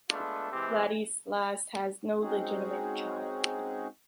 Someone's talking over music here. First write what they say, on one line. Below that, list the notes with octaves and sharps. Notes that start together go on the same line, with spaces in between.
Vladislas has no legitimate child.
G#3 A3 B3 D4 F4
C3 E3 G#3 C4 G4
G#3 C4 C#4 D#4 F#4 G#4